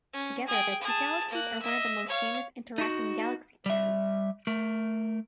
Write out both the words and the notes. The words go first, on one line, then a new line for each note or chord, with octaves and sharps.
Together, the two galaxies are one of the most famous interacting galaxy pairs.
C#4
G#4 G5
G#4 A5
A#3 F#6
D#5 E5
C#5 F5
D#4 F#4
G3 E5
A3 A#4